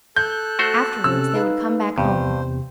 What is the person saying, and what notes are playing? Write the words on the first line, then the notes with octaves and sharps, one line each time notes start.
Afterwards they would come back home.
A4 F#6 G6
A3 F#4 C5
C3 C#4 E6
D#4 B4 F5
E2 G2 C3 C5